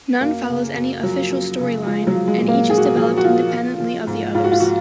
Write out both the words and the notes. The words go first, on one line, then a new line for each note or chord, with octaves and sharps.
None follows any "official storyline," and each is developed independently of the others.
F#2 A#3
C#3
F#2
F3 F#3
F#2
C#3
F3 G#3
F#3
F3
G#3
A#2
A#3
A#2 G#4
F#4
G#4
F3 G#4
F#4
F3 F4
F3
F3
G#2
G#2 F4
F#4
F4
F3 F#4